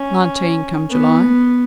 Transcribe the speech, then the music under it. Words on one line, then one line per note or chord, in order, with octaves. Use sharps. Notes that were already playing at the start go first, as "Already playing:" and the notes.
'Nineteen, come July.'
Already playing: C#4
B3